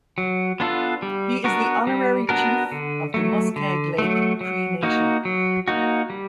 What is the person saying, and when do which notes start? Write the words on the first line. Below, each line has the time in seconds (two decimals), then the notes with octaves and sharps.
He is the Honorary Chief of the Muskeg Lake Cree Nation.
0.18 F#3
0.60 B3 D4 F4 A4
1.02 G3
1.44 B3 D4 F#4 A#4
1.87 G3
2.29 B3 D4 F#4 A#4
2.72 D3
3.14 F#3 A3
3.56 D3
3.98 F#3 A3
4.41 F#3
4.83 A#3 D#4 F#4
5.25 F#3
5.68 A#3 D#4 F#4
6.10 G3